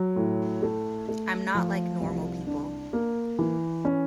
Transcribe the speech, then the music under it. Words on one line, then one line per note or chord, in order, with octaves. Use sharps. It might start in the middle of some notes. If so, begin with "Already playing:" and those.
I'm not like normal people.
Already playing: F#3
A2
A3
A3
F3
C2
D4
A#3
E3
C#4